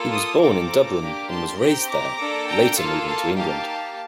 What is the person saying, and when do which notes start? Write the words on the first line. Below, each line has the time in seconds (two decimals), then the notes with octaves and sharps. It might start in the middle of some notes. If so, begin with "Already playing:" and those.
He was born in Dublin and was raised there, later moving to England.
Already playing: A#3 F4 A4
0.11 C6 D#6
0.41 C4 F4 A4 A#5 D6
1.00 A#3 D4 G4
1.29 A5 C6
1.59 C4 G4 G5 A#5
1.89 A#5 D6
2.18 A#3 D4 A4
2.47 G5 A#5
2.76 A#3 F4 A4 F5 A5
3.06 F5 A5
3.36 A#3 D#4 G4 F5 A5